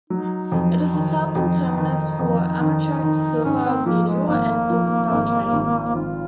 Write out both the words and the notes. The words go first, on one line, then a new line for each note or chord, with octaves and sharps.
It is the southern terminus for Amtrak's "Silver Meteor" and "Silver Star" trains.
F#3 D#4
F2
D#3
F2
D#3 D#4
F2
D#3
D#3
G#2 C#4
C4
F3 A#3
G#3
G#1 A#3
F3
G#1
G#1
G#1 F4